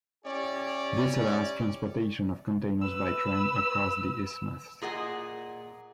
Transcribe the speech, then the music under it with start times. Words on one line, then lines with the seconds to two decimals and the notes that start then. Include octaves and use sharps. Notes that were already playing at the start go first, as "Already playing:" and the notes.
This allows transportation of containers by train across the isthmus.
0.24 C#4 E4 G4 C#5 D5
2.81 B4 E6
4.82 A#2 G#4 D#5 F#5